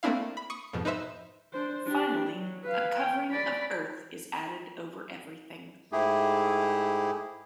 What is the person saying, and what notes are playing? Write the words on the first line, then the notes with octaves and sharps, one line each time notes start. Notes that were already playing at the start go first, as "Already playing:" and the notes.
Finally, a covering of earth is added over everything.
A3 A#3 C4 D4 E4 F5
B5
C#6 D#6 C#7
F2 G#2 B2 F3
D#4 B4 C5 E5
D4 C5
D4 G4
F#3
B4 F5
G5
D5 B5
G#2 A3 E4 G4 G#4